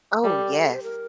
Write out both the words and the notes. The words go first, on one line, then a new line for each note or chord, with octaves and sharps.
Oh, yes.
G3 A4
A#4
A4
A#4
A4
C5
A#4